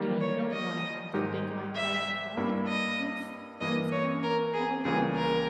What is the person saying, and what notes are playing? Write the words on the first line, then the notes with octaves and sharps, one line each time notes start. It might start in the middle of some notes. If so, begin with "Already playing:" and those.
you know, you don't wanna have to think like that, but it's just it's just kinda how it is.
Already playing: D#3 G3 A#3
C#5
D#5
G#2 D#3 G#3 D#4 G4
E5
G2 G3 A#3 E4
D#5
G2 E3 A#3 D#5
C#5
A#4
G#4
C#2 C#3 E3 G3 A#3 G#4
A#4